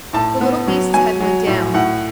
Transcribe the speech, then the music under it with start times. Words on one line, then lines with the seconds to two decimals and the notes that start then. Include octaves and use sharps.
The little beast's head went down.
0.13 A2 A5
0.41 B3
0.67 F#3
0.94 F#3 G#5
1.20 F#3
1.47 A2
1.74 A2 F#5